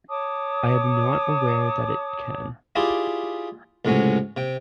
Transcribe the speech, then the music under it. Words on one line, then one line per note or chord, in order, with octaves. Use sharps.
I am not aware that it can.
C#5 A5 D6 D#6
E4 F4 G4 G#4 D5
C#2 A2 C3 F#3 C#4
C3 G5